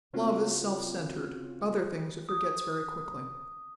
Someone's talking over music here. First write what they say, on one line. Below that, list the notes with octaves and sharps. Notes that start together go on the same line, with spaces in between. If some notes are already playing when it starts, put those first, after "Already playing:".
Love is self-centred; other things it forgets very quickly.
C#3 C4 C#4 F4 F#4
D#6